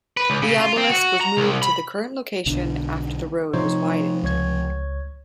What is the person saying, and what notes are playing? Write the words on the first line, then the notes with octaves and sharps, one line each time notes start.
The obelisk was moved to the current location after the road was widened.
B4
C#2
C#3
F4
C4
F#4
A#5
C2
B5
B1 D3
C3 F3 D#4 C5 C#5
C#2 C#5 G#6